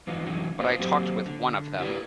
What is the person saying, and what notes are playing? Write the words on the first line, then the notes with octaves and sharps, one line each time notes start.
But I talked with one of them.
E3 F3 B3 D#4 F4
E3 F#3 A3 C#4 D#4
A#3 B3 D4 D#4 F4 C5
F#3 A#3 C4 G4 C5
D3
E4 G4 A#4 B4 D5